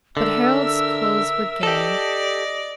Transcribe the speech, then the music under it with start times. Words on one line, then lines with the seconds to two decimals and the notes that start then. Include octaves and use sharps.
But Harald's clothes were gay.
0.17 D3 A#4 E5 E6
1.63 G4 A4 D5 D#5